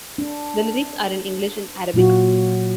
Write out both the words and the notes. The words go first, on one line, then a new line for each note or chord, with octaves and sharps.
The lyrics are in English and Arabic.
D4
A#2 F#3 F4 F#4